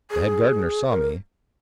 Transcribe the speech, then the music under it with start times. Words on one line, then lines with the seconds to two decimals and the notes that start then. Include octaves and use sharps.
"The head gardener saw me?"
0.11 G#4
0.90 A#4